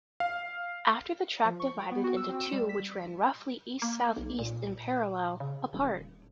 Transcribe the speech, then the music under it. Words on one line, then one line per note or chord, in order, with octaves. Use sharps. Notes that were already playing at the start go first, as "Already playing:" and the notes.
After the track divided into two which ran roughly east-south-east in parallel, apart.
F5
F3
C#6
G5
B3
F#4
E6
C4
E7
G3
B6
A#3
B1
A#2
C#3
D#1